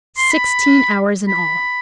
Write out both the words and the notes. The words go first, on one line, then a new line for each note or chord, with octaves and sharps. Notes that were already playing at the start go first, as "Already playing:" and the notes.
"Sixteen hours in all?"
C6
B5
B5